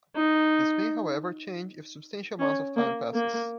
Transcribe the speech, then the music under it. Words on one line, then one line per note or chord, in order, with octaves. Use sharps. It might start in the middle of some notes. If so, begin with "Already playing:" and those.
This may, however, change if substantial amount of time passes.
D#4
C#4
A#3
A#3